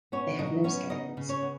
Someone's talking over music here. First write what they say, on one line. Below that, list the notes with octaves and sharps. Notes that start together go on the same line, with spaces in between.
They have no scales.
B3 C#4 C#5
F#3 D#4 D#5
B3 C#4 C#5
C#3 D#4 D#5
C#3
C#4 C#5
B3